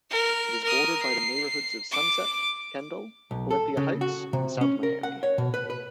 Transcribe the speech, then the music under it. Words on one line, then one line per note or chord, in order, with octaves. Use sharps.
It is bordered by the neighborhoods of Sunset, Kendall, Olympia Heights, and South Miami.
A#4
A#4 D#6
C7
D6
B1
A4
C#3
F#4
C3
C#4
A#4
F#5
C#5
B2
B4
B4